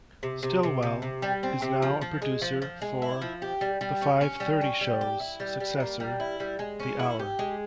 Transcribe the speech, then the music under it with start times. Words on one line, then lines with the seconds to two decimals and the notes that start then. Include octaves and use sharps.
Stillwell is now a producer for "The Five Thirty Show"'s successor, "The Hour".
0.23 C3
0.43 C3
0.63 C3
0.83 C3
1.02 C3
1.22 G3
1.43 C4
1.62 C3
1.82 F3
2.01 F3
2.22 G#3
2.42 F3
2.62 F3
2.82 G#3
3.02 E4
3.22 F3
3.42 G4
3.61 G3
3.81 G3
4.01 C#4
4.21 C#4
4.40 G3
4.61 C#4
4.81 G3
5.01 G4
5.20 E4
5.40 G3
5.60 G3
5.80 A#3
6.00 G3
6.20 E4
6.40 G3
6.59 G#3
6.80 C#4
6.99 E4
7.19 G4
7.39 G#3